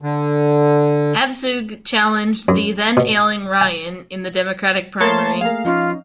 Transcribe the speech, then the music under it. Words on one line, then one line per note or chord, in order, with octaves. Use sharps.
Abzug challenged the then ailing Ryan in the Democratic primary.
D3
F#2
B2
G#5
A3 A#3 A#4 C#5 A5 C6
G#4 A#4 F5
F3 C#4 D#4 F4 D#5